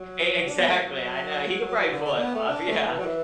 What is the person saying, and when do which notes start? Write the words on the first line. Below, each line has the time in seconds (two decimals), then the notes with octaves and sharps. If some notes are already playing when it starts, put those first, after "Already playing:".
E exactly, I know. He could probably pull it off, yeah.
Already playing: F#3
0.48 D4
0.58 B3
0.69 A3
0.78 F#3
1.92 D3
2.06 D3
2.20 B3
2.35 A3
2.48 D4
2.68 A3
2.86 E3
2.99 F#3
3.06 E3